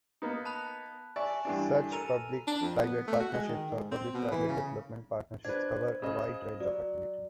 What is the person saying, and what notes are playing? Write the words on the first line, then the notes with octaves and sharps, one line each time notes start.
Such public-private partnerships or public-private development partnerships cover a wide range of activities.
A#3 B3 D#4
A5 B5 F#6
D5 E5 G#5 C#6
G2 E3 D4
A4 A#4 A#5 D#7 F7
D4
F2
B3
A3
F#4
G#3
D#3
G#2
C4
B2
E3
C#3
D4 B4 C5 G#6
C#3 D#5
F#3 D5